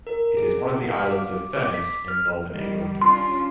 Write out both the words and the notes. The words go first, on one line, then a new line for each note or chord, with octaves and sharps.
It is one of the Islands of Furness in northern England.
A#4
G#4
F#5
F5
D6
D6
B6
F6
D#3 G3
C#4 D4 F4 C6